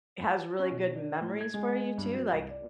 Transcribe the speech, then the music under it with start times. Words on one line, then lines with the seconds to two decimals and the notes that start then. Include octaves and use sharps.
has really good memories for you too, like,
0.59 C#4
0.71 B2
0.95 D4
1.21 A2
1.41 G#6
1.54 G#3
1.98 G2
2.14 F#3
2.33 C2
2.49 D5